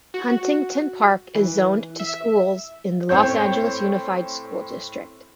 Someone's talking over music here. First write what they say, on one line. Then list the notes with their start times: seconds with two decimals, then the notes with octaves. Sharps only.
Huntington Park is zoned to schools in the Los Angeles Unified School District.
0.14 F#4
1.35 E3
2.00 E5
3.09 A2 C4 C#5 G6